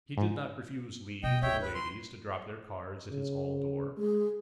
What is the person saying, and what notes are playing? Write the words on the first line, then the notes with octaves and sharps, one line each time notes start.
He did not refuse leave to the ladies to drop their cards at his hall-door.
G#2
B2 D#5 G5
D2 C#5 E5 G5
B4
C6
C#3
G#3 G#4